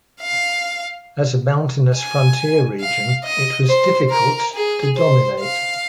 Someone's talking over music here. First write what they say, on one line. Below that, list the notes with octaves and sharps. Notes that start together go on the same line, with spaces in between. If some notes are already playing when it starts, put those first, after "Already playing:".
As a mountainous frontier region, it was difficult to dominate.
F5
G#5
F5
D#5
C5
A#4
G#4
C5
F5